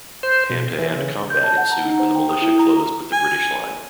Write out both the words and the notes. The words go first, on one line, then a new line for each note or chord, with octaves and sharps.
Hand-to-hand combat ensued when the Militia closed with the British Line.
C5
B2
E3
C#3
G6
A5
F#5
A#5
D#4
C5
G5
D#6
E4
A#5
G#5